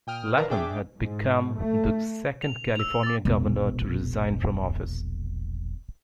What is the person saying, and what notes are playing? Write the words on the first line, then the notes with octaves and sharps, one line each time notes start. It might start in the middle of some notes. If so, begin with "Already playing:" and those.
Latham had become the second California Governor to resign from office.
A#2 G5 D#6 F6
A#4 B4 D5 F5 A5 A#5
D4 G#4 E5 G5 D6
G#2
A3
F7
E6 F7
D6 A6
E1 A#1